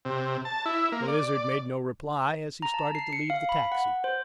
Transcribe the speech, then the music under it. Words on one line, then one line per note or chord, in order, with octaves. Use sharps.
The Lizard made no reply as he started to leave the taxi.
C3
A5
E4
A#3
D5
A#5
A5
C7
C#7
F5
B5
F#5
C5